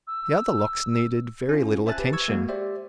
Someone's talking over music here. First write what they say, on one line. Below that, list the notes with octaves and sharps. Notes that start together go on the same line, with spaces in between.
The other locks needed very little attention.
E6
C#4 F4
C5 E5 G#5 A5 F#6 A6
G4 B4
C#6 E6 G#6
G#3 A#3 F#4
G4 C5 D5 E5